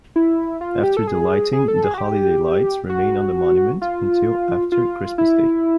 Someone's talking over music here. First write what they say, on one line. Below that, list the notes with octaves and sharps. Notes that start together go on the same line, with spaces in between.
After the lighting, the holiday lights remain on the monument until after Christmas Day.
E4
F4
G4
A4
G#4
G#4
A4
G#4
F#4
G4
F#4
F4
F4
E4